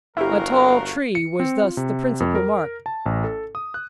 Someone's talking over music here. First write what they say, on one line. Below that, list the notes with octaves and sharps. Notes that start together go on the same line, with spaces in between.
A tall tree was thus the principal mark.
G1 A3 E4 F#4 G4 A#4 F5 A#5
C#7
C4
F4
C3
F2
A#4
A5
A1
A4
D#6
F#6